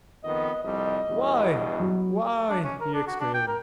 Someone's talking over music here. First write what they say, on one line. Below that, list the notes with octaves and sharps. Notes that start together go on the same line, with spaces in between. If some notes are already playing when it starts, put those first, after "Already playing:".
"Why--why!" he exclaimed.
F2 D#3 B3 D#5
C2 F2 G3 D#5
E2 G2 B2
F#3
D4
C#4
A#4
D4
F#4
D4
G5
A#4